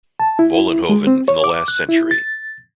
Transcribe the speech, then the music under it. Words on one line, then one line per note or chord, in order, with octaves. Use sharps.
Vollenhoven in the last century.
A5
E4
G#3
C4
C#5
D6
F#6
E4
A6